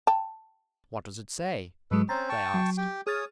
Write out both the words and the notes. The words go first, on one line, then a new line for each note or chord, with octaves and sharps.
"What does it say?" they asked.
G5 A5
G#2 F#3 G#3 A4 B4
C4 C#4 C5 A#5 A6
G5 A5 C#6
F#3
G4 G5
G#4 C#5 D#6 F6 A6